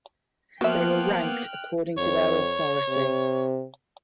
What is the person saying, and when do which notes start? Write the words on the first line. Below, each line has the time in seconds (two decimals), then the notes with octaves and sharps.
They were ranked according to their authority.
0.61 F3 A#3 B3 F#4 E5 G5 F6 F#6
1.97 F2 C#5
2.88 C3